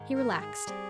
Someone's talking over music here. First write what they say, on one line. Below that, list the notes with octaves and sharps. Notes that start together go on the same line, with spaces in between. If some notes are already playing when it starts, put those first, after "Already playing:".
He relaxed.
Already playing: G#2 D#3 G#3
A#4
G4
G#4
G3 C4